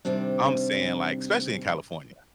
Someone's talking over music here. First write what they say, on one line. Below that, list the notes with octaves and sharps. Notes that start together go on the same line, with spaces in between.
I'm saying, like, especially in California,
C3 D#3 G3 C4 D4